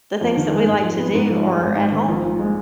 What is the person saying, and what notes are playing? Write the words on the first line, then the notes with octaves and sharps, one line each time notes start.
the things that we like to do are at home,
F2
D#3
G#3
G#2
F3
B3
G#2
F3
G#3
G#1
G#2
D#3
A#1
A#2
G#3